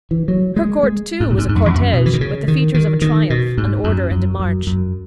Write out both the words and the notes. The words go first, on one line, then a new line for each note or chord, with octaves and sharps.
Her court, too, was a cortege, with the features of a triumph, an order and a march.
E3
F#3
G#3
G#3
G#2
A#2
G#2
G#2
F#2
E2
F#2
B2
E3
D#3
C#3
D#3
D#3
D#3
B2
G#2
F#2
F#2
F#2
F#2